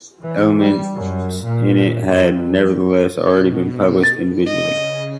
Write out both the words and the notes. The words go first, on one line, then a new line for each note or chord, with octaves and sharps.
Elements in it had nevertheless already been published individually.
E3
G3
F#2
A#2
F2
B2
A6
C#3 D#5